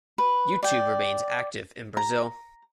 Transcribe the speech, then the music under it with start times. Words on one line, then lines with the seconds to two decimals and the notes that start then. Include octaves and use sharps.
YouTube remains active in Brazil.
0.18 B4
0.63 D5 G5
1.97 A#5